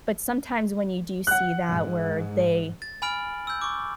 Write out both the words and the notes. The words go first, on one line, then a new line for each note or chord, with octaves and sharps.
But sometimes when you do see that, where they
F#5 F#6
G#2
A6
G#5 B5 F6 D7 F#7
E6 G6
C#6 D6